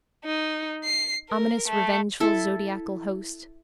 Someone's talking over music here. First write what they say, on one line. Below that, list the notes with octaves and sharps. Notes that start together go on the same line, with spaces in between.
Ominous revengeful zodiacal host!
D#4
C7
A#4
A3
E4 A4